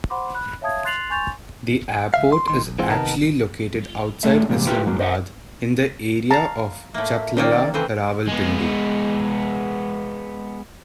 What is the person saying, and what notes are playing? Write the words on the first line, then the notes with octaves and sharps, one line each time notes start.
The airport is actually located outside Islamabad, in the area of Chaklala, Rawalpindi.
C5 F#5 B5 C6 D6
B5 F#6
C#5 E5 F5 A5 D#6 G#6
C6 F#6 A6 C7 F7 F#7
G#5 C6 C#6 G6 A6 F7
C#2 E5 F5
C6
D2 D#3 C6
B1
E3 G#3 C4 F4
C3 D#3 B3 D#4 A#4 A5
A2 A3 C#4 A4 D5 E5
E2 G#2 C3 G3 A#3
E4 F4 G4 A#4 B4
G#2 F#3 A#3
C5 D#5 E5 F#5
F5 A5 A#5
A2 A#3 E5
C3 D#3 A#3 C#4 D5
C#3 E3 C4 A4
G#3 B3